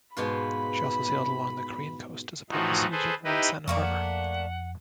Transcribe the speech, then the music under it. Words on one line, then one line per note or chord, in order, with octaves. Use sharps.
She also sailed along the Korean coast to support the siege of Wonsan harbor.
G#2 B2 F4 B5
A2 E3 F3 D#4 F#4
G#4 A4 B4 C5
D#4 E4 G4 B4 D#5
F2 A3 A#3 D4 C#6
F#5